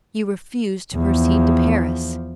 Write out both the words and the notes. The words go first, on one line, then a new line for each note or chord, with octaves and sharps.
You refuse to proceed to Paris.
E2 F3